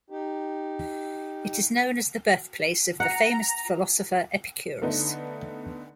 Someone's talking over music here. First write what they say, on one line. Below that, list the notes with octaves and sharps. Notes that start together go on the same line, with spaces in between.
It is known as the birthplace of the famous philosopher Epicurus.
D#4 G4
F#5 A#5
D3 A3 B3 D#4